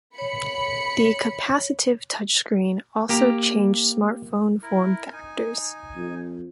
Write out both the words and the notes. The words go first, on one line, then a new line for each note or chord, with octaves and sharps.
The capacitive touchscreen also changed smartphone form factors.
C#5 B5 C#7
A#3 G4 A#5
E4 A#4
D#4 G#5
F2